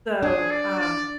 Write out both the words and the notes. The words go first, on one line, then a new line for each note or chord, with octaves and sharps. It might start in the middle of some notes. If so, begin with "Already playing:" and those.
So, um
D4 G#4
D5
D5